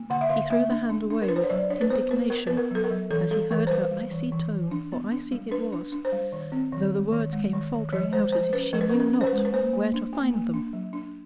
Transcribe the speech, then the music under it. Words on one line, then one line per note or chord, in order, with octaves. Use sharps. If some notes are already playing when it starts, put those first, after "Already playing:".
He threw the hand away with indignation, as he heard her icy tone; for icy it was, though the words came faltering out, as if she knew not where to find them.
Already playing: A#3
D3 F#5
E5
D3 F5
A#3 E5
D4
D4
D4
A#4
D4 B4
C5
C#5
F#3 D5
D4 C#5
B4
B3 C5
B3 B4
B3 A#4
B3 B4
A#4
F#3 A4
A#4
F#3
E3 A4
G3 A4
E3 A#4
C5
G3 B4
G3
E3
E3
E3
D4
B3
D4
G3
D4 B4
D4
D4
C5
G3
D#3
C4
D#3
G#3
D#3
G#3
D#3
D#3
F3 C#5
G#3 C5
F3 C5
C#4 B4
F3 A#4
B4
A#4
C#4
A#4
C#4
C5
B4
G#3
B4
A#3 C5
A#3
D4
A#3
A#3
D4
F#3
D4